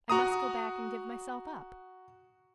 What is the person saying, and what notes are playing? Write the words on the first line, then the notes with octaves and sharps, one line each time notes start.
I must go back and give myself up.
F#4 A#5 D#6